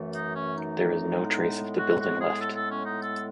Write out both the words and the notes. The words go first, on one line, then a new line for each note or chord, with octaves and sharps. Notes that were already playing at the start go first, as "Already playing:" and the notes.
There is no trace of the building left.
Already playing: F#2 E3 A3
D#4
C#4
D#4
A2 G#3 B3
F#4
F#4
G#4
A4
A4
C#4
D#4
A4